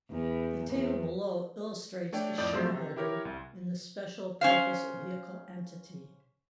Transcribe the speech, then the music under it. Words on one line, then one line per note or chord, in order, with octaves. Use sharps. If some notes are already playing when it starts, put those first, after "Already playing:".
The table below illustrates the shareholding in the special purpose vehicle entity.
E2
E2
A3 D4 C#5 D5 G5
F2 A2 D5 D#6 G6
C3 F3 F#3 C4 C5 C6
C3
E4 G4 A#4 C#5
C2
C#4 C5 F5